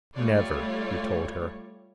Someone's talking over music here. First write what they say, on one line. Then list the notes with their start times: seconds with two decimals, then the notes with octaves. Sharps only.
"Never," he told her.
0.16 G3 A3 F4 C#5 D5